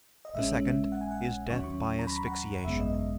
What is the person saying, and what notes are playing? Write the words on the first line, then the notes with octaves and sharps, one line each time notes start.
The second is death by asphyxiation.
D#5
A#1 A#2 G#3 C#4 E5
F#5
G#5
F#5
D#2 D#3 F#3 C#4 C#6
C#6
A#5
B5
A#5
F#5
G#1 F#2 C#3 G#3 B3 E5
D#5
D#5